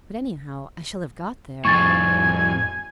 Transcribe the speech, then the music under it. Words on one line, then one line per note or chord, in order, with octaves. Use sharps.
But, anyhow, I shall have got there.'
F2 A2 G#5 C#6 A6